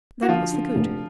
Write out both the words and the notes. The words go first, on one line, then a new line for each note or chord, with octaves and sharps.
"Then what's the good?"
F#4
D3 F3 F4
D3
F1